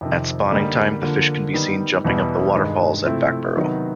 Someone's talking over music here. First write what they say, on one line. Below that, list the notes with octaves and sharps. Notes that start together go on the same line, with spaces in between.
At spawning time the fish can be seen jumping up the waterfalls at Backbarrow.
F2 C3 D#3
D3 G3 A#3 D#4
D3 F3 A#3
D#3 G3 B3 D#4
E2 B2 G3 B3 E4
G2 D#3 G#3
C3 F3 A3 C4 E4
C3 D#3 F#3 B3 D#4